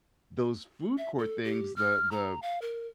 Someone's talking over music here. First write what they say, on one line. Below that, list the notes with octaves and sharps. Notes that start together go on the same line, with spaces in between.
those food court things, the the
E5
A4
G4
F6
A#5
F5
A#4